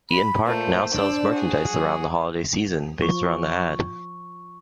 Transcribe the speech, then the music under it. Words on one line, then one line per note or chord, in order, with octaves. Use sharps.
Eat'n Park now sells merchandise around the holiday season based around the ad.
B5
A#2 A3 C5
D4 D5 E6
F#4 G#4
F#3
F3 C#6